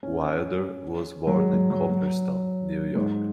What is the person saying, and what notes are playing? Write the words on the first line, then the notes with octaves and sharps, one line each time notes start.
Wilder was born in Cooperstown, New York.
C#4
F#3
G#3
F#3
F#3
F#3
G#2